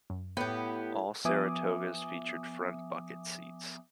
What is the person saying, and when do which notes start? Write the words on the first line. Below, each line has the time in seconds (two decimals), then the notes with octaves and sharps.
All Saratogas featured front bucket seats.
0.10 F#2
0.37 A2 B3 G4 G6
1.25 F3 B3 E5 G#5 D6 D#6